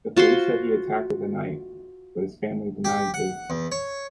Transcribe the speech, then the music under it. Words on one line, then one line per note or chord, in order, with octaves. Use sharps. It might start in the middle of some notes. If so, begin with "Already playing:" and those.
The police said he attacked with a knife, but his family denied this.
F4 F#4 C5 C6
G4
F#5
E2
C#5